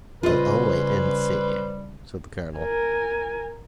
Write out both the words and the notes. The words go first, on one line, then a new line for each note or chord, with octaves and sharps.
"We'll all wait and see," said the colonel.
C#3 G3 F4 B4 C5 D#5
A#4 G#5